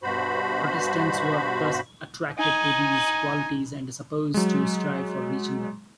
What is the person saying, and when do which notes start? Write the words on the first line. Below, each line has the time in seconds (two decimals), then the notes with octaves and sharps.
Protestants were thus attracted to these qualities and supposed to strive for reaching them.
0.03 G2 B2 F#4 C5 B5
2.38 D#4 G#5
4.34 F#3 G#3